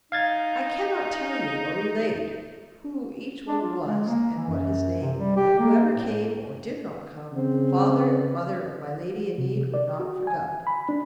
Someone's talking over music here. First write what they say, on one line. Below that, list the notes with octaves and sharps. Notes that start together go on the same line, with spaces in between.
I cannot tell you or relate who each one was, and what his name; but whoever came or did not come, the father and mother of my lady Enide were not forgotten.
D#4 F5 G#6 A6
D4
F4
G#3
A#3
E3
F#2
C3
G3
G4
A#3
A2
C#3 C4
C3
D5
F#4
G#5
B5
D4